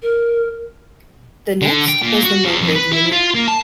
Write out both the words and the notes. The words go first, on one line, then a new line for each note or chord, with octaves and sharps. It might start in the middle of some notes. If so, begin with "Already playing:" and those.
The next was the Mohave unit.
A#4
D3
G5
A#2
F#4
E2
F2
B4
E4
F4
A#3
A5